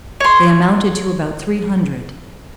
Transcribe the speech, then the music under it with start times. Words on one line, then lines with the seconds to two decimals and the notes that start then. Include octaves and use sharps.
They amounted to about three hundred.
0.20 C#5 C6